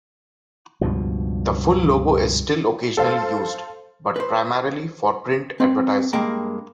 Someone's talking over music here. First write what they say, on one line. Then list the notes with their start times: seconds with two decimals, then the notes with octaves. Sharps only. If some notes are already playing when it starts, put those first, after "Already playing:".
The full logo is still occasionally used, but primarily for print advertising.
0.81 C#2 G2 B2 F3
2.97 A4 C5 F5
4.16 B4 C5
5.60 C4
6.13 G2 G#3 A#3 G5 A#5